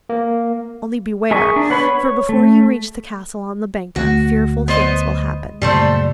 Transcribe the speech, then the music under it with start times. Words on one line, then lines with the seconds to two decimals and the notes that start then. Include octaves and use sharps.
Only, beware; for before you reach the castle on the Banka fearful things will happen.'
0.09 A#3
1.31 G#4 A#4 E5 C#6 D#6
1.56 D4
1.70 B3 B4 C#5 B5
1.95 C#5
2.29 A3
3.96 D2 A3 F#4
4.68 B3 C5 D#5
5.62 F#2 A#2 C#3 G3 A3 C5